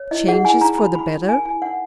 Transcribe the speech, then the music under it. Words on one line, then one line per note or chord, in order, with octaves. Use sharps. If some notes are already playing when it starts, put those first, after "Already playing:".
"Changes for the better?"
Already playing: C#5
E4 D#5
G#4 F#5
E4 G#5
D#4 A#5
F#4 B5
D#4 B5
E4
A#4 G#5
E4 G#5
D#4 F#5